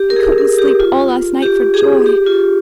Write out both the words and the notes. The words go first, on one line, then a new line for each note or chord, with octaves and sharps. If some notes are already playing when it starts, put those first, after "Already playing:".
I couldn't sleep all last night for joy.
Already playing: G4
A#4
G#4
A#4
G4
F4
G4
G#4
G4
F4